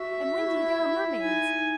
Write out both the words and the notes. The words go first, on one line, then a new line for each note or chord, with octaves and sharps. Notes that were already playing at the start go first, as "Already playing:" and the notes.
"And, Wendy, there are mermaids."
Already playing: F#4 E5
E4
F#4
E4
D#4 G#5